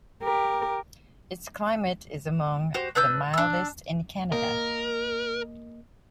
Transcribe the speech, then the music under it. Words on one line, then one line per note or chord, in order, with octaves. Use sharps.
Its climate is among the mildest in Canada.
G4 A#4
F#4 G4 C5
D4 B4 E6 G6
D4 E6
A#3 A#4 D#5